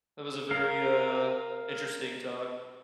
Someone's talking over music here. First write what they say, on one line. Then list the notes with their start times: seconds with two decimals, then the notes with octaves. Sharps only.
That was a very, uh, interesting talk.
0.51 A#4 F5